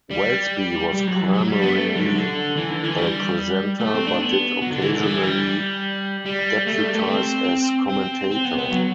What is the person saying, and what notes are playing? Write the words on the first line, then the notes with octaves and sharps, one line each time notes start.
Welsby was primarily a presenter, but did occasionally deputise as commentator.
G3
G3
F#3
E3
F#3
G3
B3
A3
G3
F#3
D3
D3
E3
D3
E3
G3
A3
C4
D4
B3
F#3
D3
E3
D3
E3
G3
G3
A3
G3
A3
C4
C4
C4
B3
B3
F#3